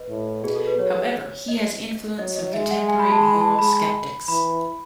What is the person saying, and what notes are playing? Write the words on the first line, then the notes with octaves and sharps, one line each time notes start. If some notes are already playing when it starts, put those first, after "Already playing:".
However, he has influenced some contemporary moral skeptics.
Already playing: B4 D#5
A2
B2 G#4
A4
B4
F#3 C#5
D#5
F#3 D#5
D#5
G#3 E5
F#5
G#5
B5
A5
B5
A5
G#3 B5
E3 B5